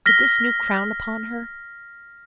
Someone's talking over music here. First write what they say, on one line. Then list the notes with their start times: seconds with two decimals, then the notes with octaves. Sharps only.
With this new crown upon her!
0.06 F6 A#6 B6 G7